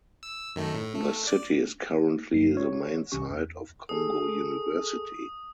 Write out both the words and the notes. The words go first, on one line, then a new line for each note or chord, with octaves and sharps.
The city is currently the main site of Kongo University.
E6
F#2 D#3 A3
A2
A3
D5
G1 G2 F#3 C7
G4 C#5
C2 C3 E3 C#4 G4 C#6
E2
G#4 A4 D#6